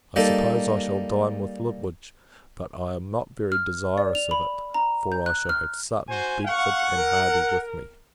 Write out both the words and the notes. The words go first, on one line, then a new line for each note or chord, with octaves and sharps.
I suppose I shall dine with Lutwidge: but I am not very desirous of it; for I shall have Sutton, Bedford, and Hardy, with me.
G3 A#3 D#4 A4
F6
D5
F7
B5
A#5
G6
F#6
F6
F#4 C5 G#5
F5 F#5 C#6
A#4